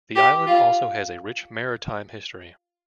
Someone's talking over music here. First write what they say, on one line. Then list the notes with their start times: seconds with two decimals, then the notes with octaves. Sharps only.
The island also has a rich maritime history.
0.15 G4
0.47 F4